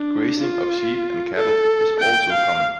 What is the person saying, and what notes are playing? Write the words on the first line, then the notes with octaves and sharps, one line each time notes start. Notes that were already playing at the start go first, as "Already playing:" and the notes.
Grazing of sheep and cattle is also common.
Already playing: D4
F4
A4
G5
F5